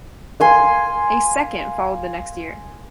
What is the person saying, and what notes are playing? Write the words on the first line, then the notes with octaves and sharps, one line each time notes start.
A second followed the next year.
F5 G#5 C6